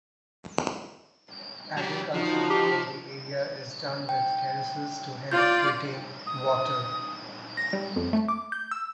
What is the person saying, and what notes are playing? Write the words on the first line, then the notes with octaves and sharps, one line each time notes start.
Agriculture in the area is done with terraces to help retain water.
F#3 G4
F3 D#4 F#4
G4
G5
F4 D5 G6
D#6
A#6
G3
F2
A3
D6
G6
E6